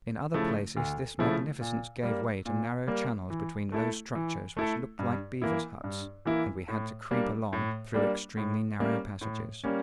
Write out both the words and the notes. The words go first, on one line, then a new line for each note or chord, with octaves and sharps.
In other places this magnificence gave way to narrow channels between low structures which looked like beaver's huts, and we had to creep along through extremely narrow passages.
C#3 F3 A3 E4
D2
C#3 F3 A3 E4
A#2
G3 A#3
A#2
G3 A#3
E3
A3 E4 A4
E3
A3 E4 A4
G2
E3 A#3 E4
G2
E3 A#3 E4
A2
G3 A#3 D4
A2
G3 A#3 D4
A2
G3 A#3 C#4
A2
G3 A#3 C#4